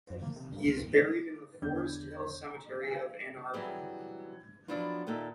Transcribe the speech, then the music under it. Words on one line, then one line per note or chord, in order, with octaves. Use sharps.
He is buried in the Forest Hill Cemetery of Ann Arbor.
F#2
A#3
C3
G2
C#2
E2
G#3
E2 D3 D4 C#5 G6
E3 F#3 G3 C4 G4 G#4
F3 F#3 B3 D4 E4 F4
D#2 A#2 D#4 A4 E5